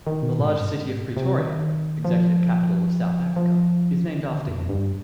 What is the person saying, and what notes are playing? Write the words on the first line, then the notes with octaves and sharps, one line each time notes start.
The large city of Pretoria, executive capital of South Africa, is named after him.
D#3
B2
G#2
G2
G#2
C3
D#3
F3
F3
D#3
D3
F2
G2